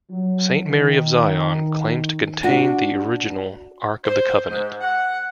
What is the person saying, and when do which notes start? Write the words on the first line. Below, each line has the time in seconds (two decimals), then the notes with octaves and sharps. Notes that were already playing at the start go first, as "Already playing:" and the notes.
Saint Mary of Zion claims to contain the original Ark of the Covenant.
0.10 F#3
0.64 D#3
2.43 D4 F#4
4.04 C5
4.49 G#2
4.80 F#5